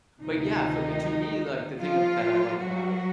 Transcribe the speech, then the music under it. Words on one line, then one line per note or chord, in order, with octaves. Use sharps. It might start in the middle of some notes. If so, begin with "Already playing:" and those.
but, yeah, for to me, like, the thing ab that I like about,
D2 C3 D#3 F3 D#4
F3 F4
F#3 F#4